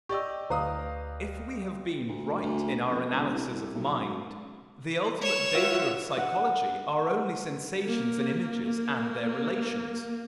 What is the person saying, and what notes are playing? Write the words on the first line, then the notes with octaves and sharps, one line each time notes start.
If we have been right in our analysis of mind, the ultimate data of psychology are only sensations and images and their relations.
G4 D5 D#5 C#6 E6
D2 B4 F5 A#5 D#6
D2
D2
F2
E1
C2
B1
F#2
C#5 E7
F4 F#4 E5
F#5
A#3
A#3